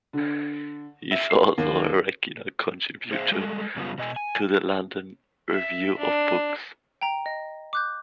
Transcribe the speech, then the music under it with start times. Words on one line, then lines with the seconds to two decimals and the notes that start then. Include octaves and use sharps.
He is also a regular contributor to the "London Review of Books".
0.13 D3
1.11 E5
1.30 C7
1.58 D#2
3.11 G#4 A#4 C5 D5 E5 F5
3.31 G3 G#3 A4
3.76 F#2 C#3 G3 B3 F4
3.98 B2 D#5 G#5
4.16 G#5
5.50 E5
5.98 D4
7.01 G5 A#5
7.26 D#5
7.73 D6 F#6 G6